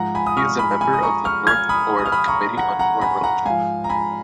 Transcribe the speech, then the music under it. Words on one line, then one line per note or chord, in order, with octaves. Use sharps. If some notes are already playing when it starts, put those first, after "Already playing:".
He is a member of the North Florida Committee on Foreign Relations.
Already playing: G#2 F3 F#5 A#5
G#5 B5
D#6
C#6 F6
G#5 B5
G#5 B5
D#6
A#5 C#6
C#6 F6
F6 G#6
B5 D#6
D#6
F6
B5 D#6
A#5 C#6
F#5 A#5
F#5 A#5
G#5 B5
F#5 A#5
G#2 F3 F5 G#5
A#5
G#5 B5